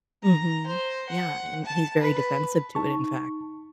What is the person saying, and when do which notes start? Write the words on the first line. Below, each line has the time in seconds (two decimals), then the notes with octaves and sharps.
Mhm. Yeah. And he's very defensive to it, in fact,
0.23 A#5
0.66 C5
1.09 F#5
1.65 A5
2.01 B4
2.75 D#4 A5 C#6